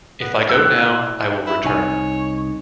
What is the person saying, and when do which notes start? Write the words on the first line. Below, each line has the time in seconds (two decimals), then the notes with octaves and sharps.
If I go now, I will return.
0.21 B3
0.49 A2 E6 F#6
1.46 E4
1.65 C2 D#4 C#5 G#5